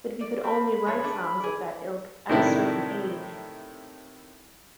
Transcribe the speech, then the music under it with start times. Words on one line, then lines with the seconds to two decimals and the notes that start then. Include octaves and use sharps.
But we could only write songs of that ilk at a certain age.
0.21 D5
0.43 C4 B5
0.86 G#2 F3 C#5
1.04 A3 D4 G#4
1.40 G#4 D5
2.29 A2 C3 D#3 D4 E4